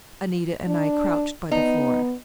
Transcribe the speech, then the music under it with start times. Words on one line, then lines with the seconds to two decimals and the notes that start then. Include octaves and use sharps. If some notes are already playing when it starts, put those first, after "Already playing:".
Anita and I crouched by the floor.
0.67 D4
1.52 B3 D#4